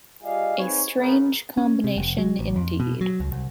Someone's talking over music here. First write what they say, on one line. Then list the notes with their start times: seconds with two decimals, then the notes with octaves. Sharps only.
A strange combination indeed.
0.23 G3 F4 G#4 D5 D#5 F5
0.58 C4 D#4 G#4 B4 C#5
0.96 D#3 G#3 A#3 B3 C#4 D#4
1.58 C#4
1.84 C3
1.97 F1
2.18 F#3
2.39 A1
2.56 F2
2.80 B2
3.01 F#3
3.20 C#2
3.32 C2